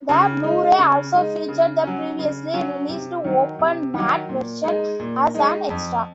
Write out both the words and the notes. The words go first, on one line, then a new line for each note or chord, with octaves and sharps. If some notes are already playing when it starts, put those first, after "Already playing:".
The Blu-ray also featured the previously released open matte version as an extra.
C#3
G#3 D#4
C#3
G#3 D#4
C#3
F#3 C#4
C#3
F#3 C#4
C3
D#3 F#3
C3
D#3 F#3
A#2
G#3 D#4
A#2
G#3 D#4
F2